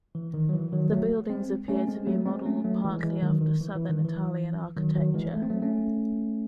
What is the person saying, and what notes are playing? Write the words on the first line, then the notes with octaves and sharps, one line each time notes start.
The buildings appear to be modelled partly after southern Italian architecture.
E3
D#3
F#3
E3
D#3 F#3
F#3 A3
G#3 C4
A3 C#4
G#3 C4
F#3 A3
G#3 C4
A3 C#4
F#3 A3
E3 G#3
E3 G#3
D#3 F#3
D#3
E3
E3
D#3
E3
D#3 F#3
D#3 F#3
E3 G#3
A3
C4
F#3 A3
A3 C#4